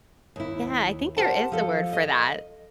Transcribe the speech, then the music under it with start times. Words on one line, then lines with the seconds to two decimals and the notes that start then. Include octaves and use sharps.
Yeah. I think there is a word for that.
0.36 D#2 E4
1.17 G4 A#4 C5 F#5 A5
1.52 F3 A4
1.93 D#5